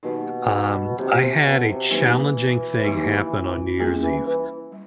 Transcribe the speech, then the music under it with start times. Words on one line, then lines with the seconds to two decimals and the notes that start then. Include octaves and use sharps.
Um, I had a challenging thing happen on New Year's Eve.
0.03 B2 D#3 F#3 A#3 D#4 G4
0.96 C3 D#3 F#3 A#3 D#4 G4
1.21 C3
1.44 B2
1.67 C3
1.91 D#3 E3 F#3 A#3 D#4 G4
2.84 D#3 F#3 A#3 D#4 G4
3.78 G3 A#3 C#4 F4 G#4
4.02 E3
4.26 E3
4.72 G3